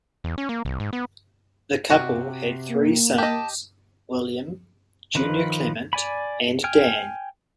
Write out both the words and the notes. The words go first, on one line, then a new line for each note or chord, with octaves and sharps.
The couple had three sons, William, Junior Clement and Dan.
E2
C#4
A#3
C2
G#2
B3
C3 F#4
A#3
G4 D#5 A5
D#3 F3 B4
D5 G#5 B5
G5 G#5 F6